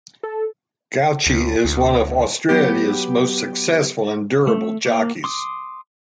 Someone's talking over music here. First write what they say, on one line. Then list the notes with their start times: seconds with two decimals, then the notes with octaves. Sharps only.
Gauci is one of Australia's most successful and durable jockeys.
0.23 A4
1.26 D2
1.65 D2
2.49 F#3 B3 G4
4.47 A3
4.85 A#3
5.24 C6 D6 D#6